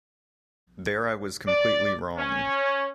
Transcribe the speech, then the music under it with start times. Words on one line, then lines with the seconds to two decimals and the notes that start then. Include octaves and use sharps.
There I was completely wrong.
1.47 D5
2.18 C#4